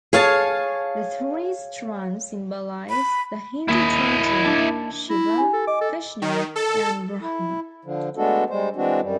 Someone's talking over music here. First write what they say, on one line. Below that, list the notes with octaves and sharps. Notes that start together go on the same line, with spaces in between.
The three strands symbolise the Hindu trinity - "Shiva", "Vishnu" and "Brahma".
G#4 C#5 F5 G#5 A5
B5
D#2 E4 D#5
D4 A5
E4 A#6
G4 G#5
A4
D#5 D6
A4
D#3
A4
E4
D3 F3
G#3 A3 B3 D4 F#4 A4
G3 G#3 C5
E3 G#3 C4 D4 F#4
F#2 G3